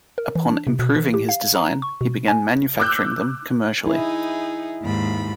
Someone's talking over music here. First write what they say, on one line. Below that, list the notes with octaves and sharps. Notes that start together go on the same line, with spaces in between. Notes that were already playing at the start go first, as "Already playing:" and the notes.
Upon improving his design he began manufacturing them commercially.
A#4
E3
D4
C3
B2
E3
G4
F5
A#5
C#6
B2
G#5
D6 E6 F#6 G6
D#4 E4 G#4
D#2 G#2 B5